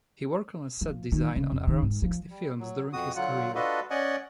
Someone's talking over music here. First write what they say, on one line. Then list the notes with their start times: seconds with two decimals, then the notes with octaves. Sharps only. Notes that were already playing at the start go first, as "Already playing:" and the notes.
He worked on set design on around sixty films during his career.
0.81 F3
1.12 D#3
1.36 C#3
1.52 F2
1.67 D#3
1.82 G#2
2.02 F3
2.30 G3
2.59 F#3
2.93 F2 F#4 D#6
3.16 D3 F#3 F4 F#5
3.55 D4 F4 F#4 A4 B4 D#5
3.90 C#4 D5 D#5 F#5 G#5